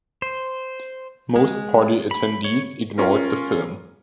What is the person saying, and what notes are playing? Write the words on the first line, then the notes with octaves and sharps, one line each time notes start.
Most party attendees ignored the film.
C5
G#3
B5
C#5
C#4 F4 A#4